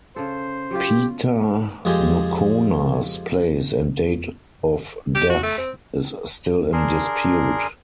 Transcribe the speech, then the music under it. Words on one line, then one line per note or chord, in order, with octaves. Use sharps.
Peta Nocona's place and date of death is still in dispute.
C#3 A4 C5
F#3 F4 G4
F2 F3 G#3 G4 G#5
G4
F#4
A3
C4
D4 G#4 A#4 C6